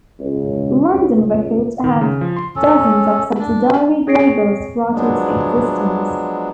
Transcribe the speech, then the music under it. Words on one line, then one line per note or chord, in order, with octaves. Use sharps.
London Records had dozens of subsidiary labels throughout its existence.
C#2
C#2
D#3
C#3
F3
C6
C#4 A4
D4
C4 G#4 C#5 A#6 C7 D7
F3 F#3 G#3 B3 D4